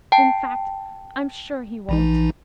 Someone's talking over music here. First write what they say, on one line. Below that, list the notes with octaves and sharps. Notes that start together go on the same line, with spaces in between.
In fact, I'm sure he won't.
G5 A5
A#1 E3 D#4